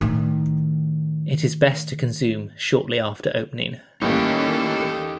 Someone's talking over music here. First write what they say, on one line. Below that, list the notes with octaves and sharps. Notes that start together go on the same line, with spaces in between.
It is best to consume shortly after opening.
A2 D#3
A2 D#3 G3 A#3 C#4 D#4 G4 A4